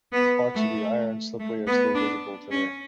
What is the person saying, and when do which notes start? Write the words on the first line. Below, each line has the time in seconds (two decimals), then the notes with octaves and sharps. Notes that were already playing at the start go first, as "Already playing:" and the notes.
Parts of the iron slipway are still visible today.
0.12 B3
0.55 A3
1.39 A3
1.67 B3
1.95 D4
2.51 C#4